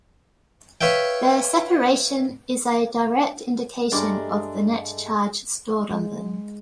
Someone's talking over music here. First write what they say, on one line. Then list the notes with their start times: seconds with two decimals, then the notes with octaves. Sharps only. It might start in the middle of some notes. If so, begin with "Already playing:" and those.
Their separation is a direct indication of the net charge stored on them.
0.81 B4 C#5 E5 F5 G5
3.92 G2 G#3 A3 D4 A#4 D6
5.91 G#3